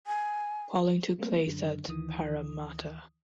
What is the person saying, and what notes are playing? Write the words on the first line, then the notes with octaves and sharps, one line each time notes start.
Polling took place at Parramatta.
G#5
G3 A3 A#3 C4
F#2 D3
D2 D#3 E3 D#6